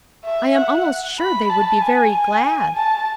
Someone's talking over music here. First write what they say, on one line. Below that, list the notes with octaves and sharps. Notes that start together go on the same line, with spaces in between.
"I am almost sure they would be very glad."
E5
F#5
B5
A5
G#5
A5